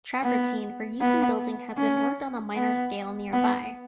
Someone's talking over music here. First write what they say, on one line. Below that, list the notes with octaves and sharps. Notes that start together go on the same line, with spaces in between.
Travertine for use in building has been worked on a minor scale nearby.
B3
B3
C#4
B3
B3